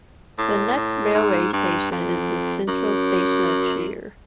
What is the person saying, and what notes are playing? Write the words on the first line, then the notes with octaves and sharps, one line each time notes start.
The next railway station is the central station of Trier.
A2
A2
G#2
G2
F2
F#2